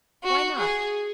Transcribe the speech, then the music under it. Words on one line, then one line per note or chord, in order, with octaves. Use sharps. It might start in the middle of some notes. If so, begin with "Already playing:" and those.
"Why not?"
F#4
G#4